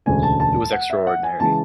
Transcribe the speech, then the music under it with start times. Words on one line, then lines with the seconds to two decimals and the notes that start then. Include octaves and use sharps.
It was extraordinary.
0.06 E1 D2 C#3 G#3 D4 G#5
0.23 A5
0.40 A5
0.73 F#5
0.90 E5
1.07 F#5
1.23 G#5
1.40 C#3 E3 G#3 A5